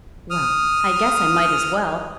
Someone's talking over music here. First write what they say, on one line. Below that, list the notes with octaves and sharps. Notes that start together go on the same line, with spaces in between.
Well, I guess I might as well.
D#6 F6